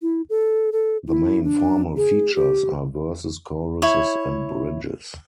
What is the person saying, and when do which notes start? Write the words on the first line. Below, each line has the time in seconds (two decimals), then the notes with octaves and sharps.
The main formal features are verses, choruses, and bridges.
0.02 E4
0.30 A4
0.72 A4
1.08 E4
1.44 D4
1.97 G#4
2.35 G4
3.82 E4 C#5